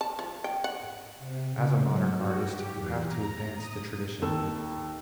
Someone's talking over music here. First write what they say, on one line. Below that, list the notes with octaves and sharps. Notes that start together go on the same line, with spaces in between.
As a modern artist you have to advance the tradition.
A5
F3
G5
F#5
C3
C#3
F#3
F#4
G4
E2
A#5
D#6
D#2 A4 E6